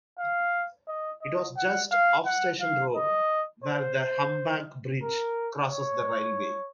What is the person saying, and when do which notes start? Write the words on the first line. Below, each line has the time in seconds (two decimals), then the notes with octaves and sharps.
It was just off Station Road where the humpback bridge crosses the railway.
0.19 F5
0.88 D#5
1.22 D#5
1.57 F#5
1.91 F5
2.26 F#5
2.60 F5
2.96 D#5
3.64 C5
5.03 A#4
5.71 C#5